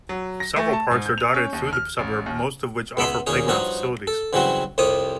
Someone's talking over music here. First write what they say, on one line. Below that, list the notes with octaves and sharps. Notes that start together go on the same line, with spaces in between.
Several parks are dotted through the suburb, most of which offer playground facilities.
F#3
A#6
A3
A5
G#2
G6
F7
C#4
D#2
F6
A1
D#2
C#2 B3 E5 B5 C6
D#2 A#2 C#4 G#4 C#5
G2 F3 D#4 F#4 C#5
A4
G2 C#3 E3 F#3 C4 F#4
C2 F2 C3 C#5 D6 D#6